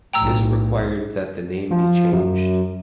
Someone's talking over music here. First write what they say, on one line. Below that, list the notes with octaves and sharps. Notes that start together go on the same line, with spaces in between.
This required that the name be changed.
B1 A2 G5 A#5 E6
F3
F#2